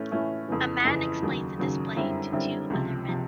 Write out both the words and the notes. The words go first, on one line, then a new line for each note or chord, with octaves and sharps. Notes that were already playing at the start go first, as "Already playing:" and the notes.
A man explains a display to two other men.
Already playing: A2 E3 A3 C#4 E4
A2 E3 A3 C#4 E4
F2 C#3 E3
F2 C#3 E3
D#2 C#3 F#3
D#2 C#3 F#3
F#2 D3 G3 C4 E4
F#2 D3 G3 C4 E4
C#2 C3 F3
C3 F3